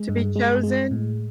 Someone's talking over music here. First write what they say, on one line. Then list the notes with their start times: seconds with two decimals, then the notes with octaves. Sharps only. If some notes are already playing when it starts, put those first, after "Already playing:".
to be chosen.
Already playing: G#3
0.09 G2
0.36 G#3
0.63 G#3
0.91 A2